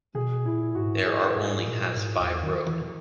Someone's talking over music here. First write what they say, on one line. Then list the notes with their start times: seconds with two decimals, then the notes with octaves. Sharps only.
The are only has five road.
0.15 B2 G#4
0.46 A#2 E4
0.75 G#2 F#4
1.06 G#4
1.20 A#4
1.33 G#2 G#4
1.66 A#2
1.97 G#2
2.20 E2
2.43 D#3
2.66 E3